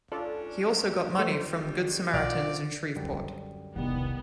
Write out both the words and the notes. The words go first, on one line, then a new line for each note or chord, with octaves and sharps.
He also got money from Good Samaritans in Shreveport.
G#2 C#4 D4 F4 A4 D5
F2 D#3 G3 A3 C5
B1 F#3 C4 F4 D5 F#5 F6
F#2 D3 G3
E1 C2 D#3 G3 B3 F#5